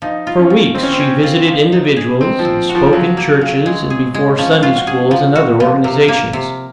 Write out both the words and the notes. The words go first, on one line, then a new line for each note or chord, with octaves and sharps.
For weeks she visited individuals and spoke in churches and before Sunday schools and other organizations.
F3 D#4
F4
C#4
F3
D#3 C4
C#4
C4
C#4
F4
F3
D#4
G#4
D#3 C4
F3
C4
F#4
F3
C#3 F#3
A#3
C#3
G#3
G#4
G#3
F3 C#4
F4
F#4
G#4
F3
F#4
F3
C3 A#4
A#3
C3